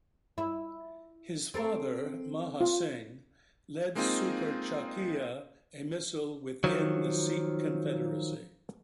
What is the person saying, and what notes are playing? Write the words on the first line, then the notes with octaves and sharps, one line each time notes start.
His father Maha Singh led Sukerchakia, a misl within the Sikh Confederacy.
E4
C4 A4 A#4
F4
G#3 A#3 C4 D#4 F4 G#4
D#3 F3 F#3